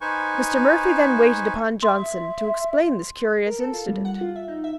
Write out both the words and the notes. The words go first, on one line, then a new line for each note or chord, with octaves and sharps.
Mr. Murphy then waited upon Johnson, to explain this curious incident.
D#4 B4 C5 G#5 C#6
E5 C6
A#4
A4
F4
G3
F#5
F4
E5
D#4
E5